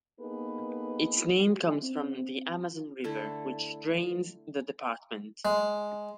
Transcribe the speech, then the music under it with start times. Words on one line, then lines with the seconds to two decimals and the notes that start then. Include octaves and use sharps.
Its name comes from the Amazon River which drains the department.
0.21 A#3 B3 D#4 G#4 A4 B4
1.83 C4
3.04 D3 A3 E4 A4
5.45 G#3